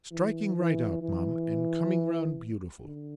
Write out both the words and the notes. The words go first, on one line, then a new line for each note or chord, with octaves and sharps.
'Striking right out, mum, and coming round beautiful.'
E3
E3
E3
D3